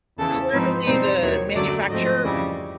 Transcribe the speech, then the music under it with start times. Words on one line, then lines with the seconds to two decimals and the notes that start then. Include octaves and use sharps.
clearly the manufacturer
0.17 E2 C#3 E3 A4
0.52 G#2 F3 G#3 C4 D#4 B4
0.86 E2 B2 G3 C4 D#4 C5
1.21 D#2 D#3 F#3 C#5
1.55 F#2 D3 F#3 A3 D5
1.89 G#2 F3 A3 C4 D#5
2.24 F2 C#3 E3 G3